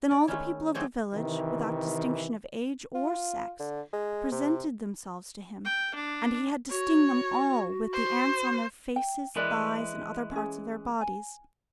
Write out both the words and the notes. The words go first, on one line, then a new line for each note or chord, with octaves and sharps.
Then all the people of the village, without distinction of age or sex, presented themselves to him, and he had to sting them all with the ants on their faces, thighs, and other parts of their bodies.
D5
D#3 G#3 A3 C#4 E4
D#3 F#3 A3 C4 G4 G#4
C3 D#3 E3
F4
D3
G#3
C3
G5
D4
F#4 C#5
C5
G5
E3 G#3 A#4 B4 D5
C#4 G#4
G#5